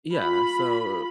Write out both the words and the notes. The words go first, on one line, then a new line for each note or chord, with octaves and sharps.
Yeah, so
F4 B5